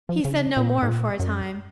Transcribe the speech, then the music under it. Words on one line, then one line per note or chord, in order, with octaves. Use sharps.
He said no more for a time.
F3
C#3
A#2
G#2
A#2
F#2